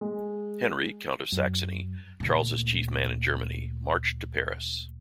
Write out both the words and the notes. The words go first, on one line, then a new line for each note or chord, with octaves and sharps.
Henry, Count of Saxony, Charles' chief man in Germany, marched to Paris.
G#3
F#2
D2 A#2